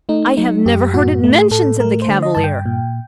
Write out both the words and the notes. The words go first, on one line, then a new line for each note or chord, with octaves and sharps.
"I have never heard it mentioned," said the Cavalier.
A3 D#4
F#3 D#4
F#2 G4
A2 F#4
A3
A2 A4
A3 A#4
C5
D3
D#5
G2 A5
G5
A#2